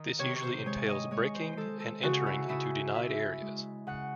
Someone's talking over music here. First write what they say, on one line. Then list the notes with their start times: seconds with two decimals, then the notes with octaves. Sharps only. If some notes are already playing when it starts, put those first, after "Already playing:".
This usually entails breaking and entering into denied areas.
Already playing: D#3 D#5
0.19 C3 C#5
0.36 C#5
0.43 C5
0.66 G#3 C#5
0.88 D#5
1.11 G#3 C#5
1.35 C5
1.57 G#3 A4
1.80 A4
2.03 C#3 F#4
2.26 E4
2.49 C#3 E4
2.95 C#3 E5
3.41 G#3
3.87 C#3 F#5